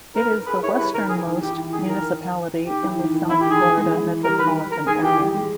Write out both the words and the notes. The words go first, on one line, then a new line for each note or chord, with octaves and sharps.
It is the westernmost municipality in the South Florida metropolitan area.
A#4 B4
A#4
G#4 B4
E4 C#5
G3 B4
D#3 A#4
G#4
E3
D#3
E3 G4
E3
D#3 G#4
D#3 A#4
D#3 G4
E3
D#3
E3
E3 E4
G4
D#3
G#4
E3
G#3
E3
G3 A#4
D#3 B4
A#4
D#3 G#4
E3 G4
G3
G#3